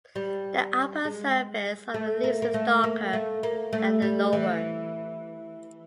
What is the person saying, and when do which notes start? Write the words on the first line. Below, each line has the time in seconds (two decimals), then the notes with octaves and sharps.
The upper surface of the leaves is darker than the lower.
0.15 G3
1.05 G#3
1.94 A3
2.24 A#3
2.42 A#3
2.54 A3
2.84 A#3
3.13 A3
3.43 A#3
3.73 A3
4.02 G3
4.33 E3